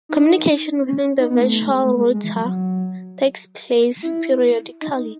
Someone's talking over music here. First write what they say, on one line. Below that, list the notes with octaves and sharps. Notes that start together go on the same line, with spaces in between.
Communication within the virtual router takes place periodically.
D#4
C#4
D#4
B3
A3
A3
G#3
A3
G#3
G#3
E3
F#3
F#3
E4
D#4